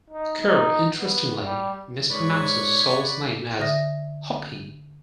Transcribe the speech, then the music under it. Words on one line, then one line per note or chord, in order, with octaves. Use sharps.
Kerr interestingly mis-pronounces Sol's name as "hope-y".
D#4
D#4
B3
G3
G#2 B4 C#5 D5 B5
D3 E5 D#6 A#6